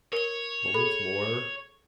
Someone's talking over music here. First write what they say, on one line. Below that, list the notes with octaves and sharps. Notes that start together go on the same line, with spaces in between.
Moment more.
A#4 C#5 G7
G#4 A4 B5